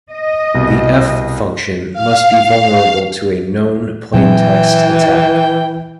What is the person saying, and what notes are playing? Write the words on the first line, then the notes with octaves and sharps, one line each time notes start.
The "F" function must be vulnerable to a known-plaintext attack.
D#5
C2 B2
F5
A#2 E3 F#3 C4 G5